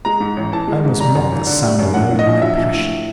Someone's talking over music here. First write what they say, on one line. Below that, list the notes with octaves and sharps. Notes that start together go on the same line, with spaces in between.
I almost mocked the sound aloud in my passion.
G#3 A#5
G#2
A1
E3 A5
G#3
G#2
G3 A#5
F#2
G#1
D3
G3
F#2
A#1 F#5
A2
D#5
A#1
F#3 E5
A#1
A2